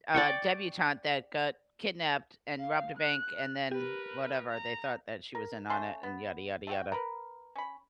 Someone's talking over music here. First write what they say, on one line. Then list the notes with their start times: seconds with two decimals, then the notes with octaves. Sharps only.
uh, debutante that got kidnapped, and robbed a bank, and then, whatever. They thought that she was in on it, and yada, yada, yada.
0.14 D5 G5 C#6
2.59 F5
2.98 F#6
3.71 G4 A#4 B4
4.50 A#5
5.35 A#4
5.70 A3 C#4 C6
6.03 B3
6.67 A3 F#4 G5
6.92 A#4 B4
7.55 C#4 B5